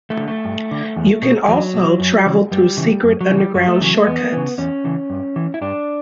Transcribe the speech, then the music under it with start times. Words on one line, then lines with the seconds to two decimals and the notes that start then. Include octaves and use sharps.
You can also travel through secret underground shortcuts.
0.10 A3
0.20 D3
0.28 A3
0.45 G2
0.71 D3
0.97 E2
1.22 B2
1.48 E2 F#3
1.74 B2
2.00 F#2
2.26 C#3 E3
2.51 F#2 G3
2.77 C#3 E3
3.03 F#2
3.21 F#3
3.30 C#3 E3
3.38 G3
3.55 F#2 F#3
3.68 A3
3.80 C#3 E3 F#3
3.94 A3
4.07 E2 B3
4.32 C#3 E3
4.58 E2 C#4
4.84 C#3 E3
5.10 G2
5.36 E3
5.54 E4
5.61 G2 D4